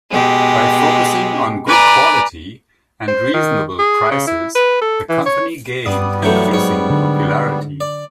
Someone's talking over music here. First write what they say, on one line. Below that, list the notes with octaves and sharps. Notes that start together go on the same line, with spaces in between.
By focusing on good quality and reasonable prices, the company gained increasing popularity.
B2 G#3 G4
B4 D5 G#5 A#5
C5
D#3
G#4
C#3
E4
B4
A4
E3
C#5
G2 G3 B3 D5 D#6
E3 F#3 A3 G6
G#2 F#3 C#5
D3
D5